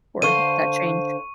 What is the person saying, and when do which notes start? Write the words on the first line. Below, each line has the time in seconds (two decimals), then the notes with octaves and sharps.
For that change.
0.22 D3 C5 F5 C#6 D#7